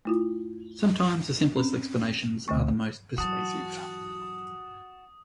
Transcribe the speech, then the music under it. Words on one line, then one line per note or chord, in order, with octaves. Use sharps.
Sometimes the simplest explanations are most persuasive.
A3 E4 F4
C4 C#4
D2 D3 A3 C#6
E3 F#3 F#4 A5 D#6